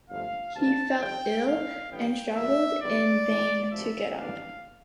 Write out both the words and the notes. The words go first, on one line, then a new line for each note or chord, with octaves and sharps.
He felt ill, and struggled in vain to get up.
G1 G2 F3 A3 F5
D2 C3 E3 B3 D4 A5
F2 C3 G3 G5
A2 F3 A3 F5
A1 G2 E3 G3 B3 G5
E2 B2 G3 E5
E2 D3 G3 B3 D5
A2 E3 B3 D4
D2 C3 F3 E5
A1 G2 E3 B3 D4 F5